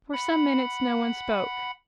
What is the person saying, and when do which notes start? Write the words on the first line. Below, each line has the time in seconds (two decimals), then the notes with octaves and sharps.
For some minutes no one spoke.
0.13 F#5 B5